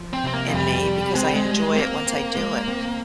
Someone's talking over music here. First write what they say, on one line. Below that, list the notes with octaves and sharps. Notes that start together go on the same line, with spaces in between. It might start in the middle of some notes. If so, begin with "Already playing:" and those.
in me, because I enjoy it once I do it.
Already playing: F3
C4
C3 C4
A#3
F3
F2 G3
C3
G#3 C4
G3
G#3
G3
A#3 C4
C4
G#3
C4